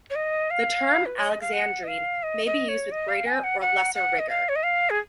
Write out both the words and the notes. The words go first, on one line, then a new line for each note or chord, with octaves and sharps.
The term "alexandrine" may be used with greater or lesser rigor.
C#5
D#5
F5
B4
C#5
D#5
F5
F#5
D#5
F5
D#5
D#5
C#5
D#5
F5
G#5
F#5
F#5
F#5
D#5
F5
C#5
D#5
F5
G#4